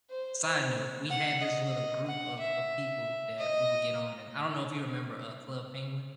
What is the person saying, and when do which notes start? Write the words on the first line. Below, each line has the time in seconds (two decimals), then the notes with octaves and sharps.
side note, we had this little group of of people that we would get on and I don't know if you remember, uh, Club Penguin?
0.10 C5
0.42 C5
1.09 F#5
1.41 D#5
2.07 F#5
2.40 E5
3.38 D#5